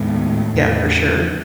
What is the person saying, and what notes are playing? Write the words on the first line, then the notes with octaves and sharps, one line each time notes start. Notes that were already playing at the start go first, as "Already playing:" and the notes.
Yeah, for sure.
Already playing: D#2 A2 D#3 G#3 B3
E2 C#3 E3